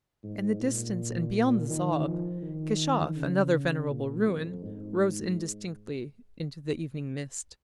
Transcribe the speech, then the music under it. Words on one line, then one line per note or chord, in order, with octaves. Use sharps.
In the distance and beyond the Zab, Keshaf, another venerable ruin, rose indistinctly into the evening mist.
G#2
A#2
D#3
F3
D#3
C#3
A#2
F2
G#2